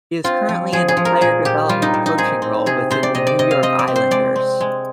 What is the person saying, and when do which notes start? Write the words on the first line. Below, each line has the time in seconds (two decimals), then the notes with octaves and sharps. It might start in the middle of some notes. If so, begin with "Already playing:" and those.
He is currently in a player development coaching role within the New York Islanders.
0.24 C4 F4
0.49 F3
0.72 F3 G#4
0.88 G#4
0.97 F3
1.05 A#4
1.21 A#2 G#4
1.45 A#2 G4
1.69 G3 F4
1.82 D#4
1.94 A#2
2.06 D#4
2.18 C4 G#4
2.42 C4
2.66 C3 G#4
2.90 C3 C5
3.03 D5
3.15 C3 D#5
3.27 D5
3.39 C3 D#5
3.51 F5
3.63 C4 D#5
3.79 D5
3.88 C4
3.96 C5
4.11 G#3 D5
4.36 C4
4.60 G#3